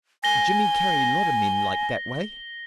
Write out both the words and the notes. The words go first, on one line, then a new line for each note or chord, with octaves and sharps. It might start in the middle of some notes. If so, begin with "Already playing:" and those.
"Jimmy carry lot o' men like that way!"
G#5 A#6 G7